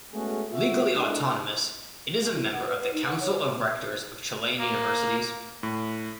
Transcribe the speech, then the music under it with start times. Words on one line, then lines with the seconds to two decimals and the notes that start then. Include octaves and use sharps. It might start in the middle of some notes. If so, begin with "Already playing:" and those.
Legally autonomous, it is a member of the Council of Rectors of Chilean Universities.
0.13 G#3 A3 B3 C#4 F#4 G#4
0.51 F4 F#4 E5
0.96 G#3 D4 E4 A4 A#4 D#5
2.35 E4
2.52 F#5
2.66 B4
2.78 B4
2.93 D#4
3.06 F#5
3.20 C#5
4.58 A#3
5.63 A2